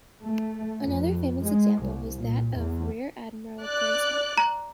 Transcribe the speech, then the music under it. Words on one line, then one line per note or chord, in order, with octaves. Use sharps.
Another famous example was that of Rear Admiral Grace Hopper.
A3
F2
G#3
C2
A#2
E2
D5 F#6
A#5